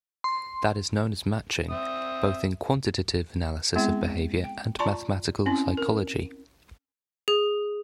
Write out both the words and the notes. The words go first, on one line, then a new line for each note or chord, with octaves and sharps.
That is known as matching, both in quantitative analysis of behavior and mathematical psychology.
C6
C4 E5 D#6
G#3 B3 C4 E4 G#4
G5
F4 D5 A5 A#5 C6 C#6
C4 C#4 E4
A#4
G#4